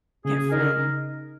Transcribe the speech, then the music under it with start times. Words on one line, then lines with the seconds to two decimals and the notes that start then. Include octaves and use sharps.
get from
0.25 C#3 G#4
0.51 D#4 A#4